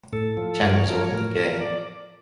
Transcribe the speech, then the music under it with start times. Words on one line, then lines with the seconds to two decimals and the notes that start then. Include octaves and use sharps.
Chen was openly gay.
0.13 A2 A4
0.37 F3
0.62 G2 A#4
0.75 C#5
0.87 F3 A#4
1.01 C#5
1.11 A2 A#4
1.37 F3
1.61 D5